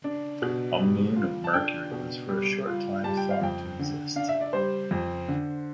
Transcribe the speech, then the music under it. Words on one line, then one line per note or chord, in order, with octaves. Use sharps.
A moon of Mercury was for a short time thought to exist.
D4
B2
G3
F4
A5
D4 G5
B2
G3
F4
G3 A5
G5
F5
F2 G5
D3
D4 F5
E5
D5
G3 C5
F2
D3